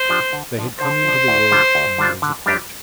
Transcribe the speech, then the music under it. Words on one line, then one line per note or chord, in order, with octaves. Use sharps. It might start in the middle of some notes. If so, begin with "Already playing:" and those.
They had come into the world ten years apart.
Already playing: C5
F3 D4 G4
D3
F3 D4
D3 C5
F3 D4
D2
D3 G3 D4 F4
D2
D3 G3 D4 F4
D3
G3 D4 G4